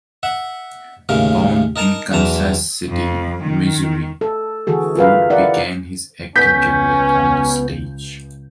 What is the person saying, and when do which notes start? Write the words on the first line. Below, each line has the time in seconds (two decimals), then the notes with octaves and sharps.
Born in Kansas City, Missouri, Ford began his acting career on the stage.
0.23 E5 F#5
1.09 D#2 A2 C#3 A#4
1.76 D#4 A#4 A5 A#5
2.11 B1 E2 E3 A5 A#5
2.90 F2
3.45 D#3
4.21 A4
4.67 D3 E3 F#4 G#4 A4
4.96 F4 A#4 B4 F5
5.30 E4 A#4 D5 F5 F#5
6.36 C#2 B3 C#4 G6 B6